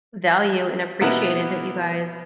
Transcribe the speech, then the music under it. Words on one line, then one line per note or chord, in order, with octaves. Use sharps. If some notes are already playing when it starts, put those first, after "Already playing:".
value and appreciated that you guys,
B2 A#3 B3 E4 F#6